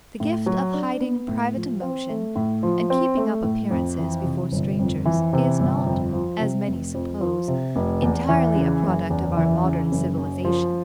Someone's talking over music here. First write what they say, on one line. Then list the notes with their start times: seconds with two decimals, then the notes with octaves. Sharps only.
The gift of hiding private emotion and keeping up appearances before strangers is not, as many suppose, entirely a product of our modern civilization.
0.20 A2
0.46 F#3
0.74 D4
1.00 B3
1.28 A2
1.55 F3
1.82 C4
2.09 A3
2.36 A2
2.63 F3
2.90 C4
3.17 A3
3.44 A2
3.71 F2
3.98 E3
4.24 C3
4.52 G1
4.79 F2
5.05 E3
5.33 C3
5.60 G1
5.87 F2
6.13 F3
6.40 C3
6.68 F1
6.95 F2
7.21 F3
7.48 C3
7.76 F1
8.02 E2
8.29 E3
8.55 C#3
8.83 F#1
9.10 E2
9.37 E3
9.64 C#3
9.92 F#1
10.17 F#2
10.45 F3